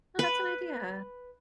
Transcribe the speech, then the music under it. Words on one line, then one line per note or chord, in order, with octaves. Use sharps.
Oh, that's an idea.
B4